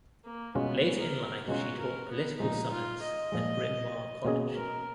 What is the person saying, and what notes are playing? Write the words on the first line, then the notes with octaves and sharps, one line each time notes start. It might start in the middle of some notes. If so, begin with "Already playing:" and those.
Later in life she taught political science at Bryn Mawr College.
A#3
B2 G#3 B3 C#4 F4
A#4
B2 G#3 C#4 F4 F#4
A#4
B3
A#2 F3 G#3 D#4
F4
D#5
A#2 F3 G#3
B2 A#3 C#4 G#4 D#5
A#4